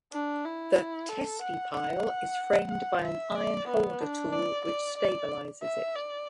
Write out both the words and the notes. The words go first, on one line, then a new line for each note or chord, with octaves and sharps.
The "testi" pile is framed by an iron holder tool which stabilizes it.
D4
E4
A4
F#5
F#5
F#5
F#5
E5
D5
B3
D4
D5
D5
D5
E5
D5